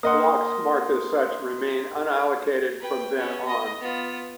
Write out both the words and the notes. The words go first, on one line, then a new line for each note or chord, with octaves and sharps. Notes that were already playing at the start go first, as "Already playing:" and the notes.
Blocks marked as such remain unallocated from then on.
A#3 D#5 F#5 C6 D#6
B4 G5
B3 C#4
D#5
B3 F4